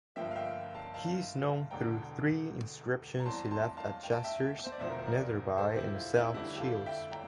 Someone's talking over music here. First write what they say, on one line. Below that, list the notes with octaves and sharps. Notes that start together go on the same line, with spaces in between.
He is known through three inscriptions he left at Chesters, Netherby and South Shields.
G1 G2 F3 A#3 E5 G5
F5
E5 G5
F5 A5
F5 A5
E1 E2 D3 G5 A#5
A#5
E2 E3 G3 C4 A5 C6
A5 C6
F5 A5
G5
A5
E5 G5
C5
D5
E1 E2 D3 F3 C5 E5
A#4
C5
A#4 D5
A4 C5
E4 G4
F4
E4
F2 D3 G3 C4 E4 G4
G4
F4 A4
E5 G5
G5 A#5